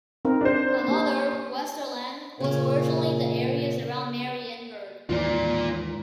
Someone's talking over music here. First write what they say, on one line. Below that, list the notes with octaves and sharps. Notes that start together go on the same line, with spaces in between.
Another, Westerland, was originally the areas around Marienburg.
C4 D#4 A#4
D4 C5
A#3 G4
A#2 C#3 C#4
D#2 G#2 E3 F4 D5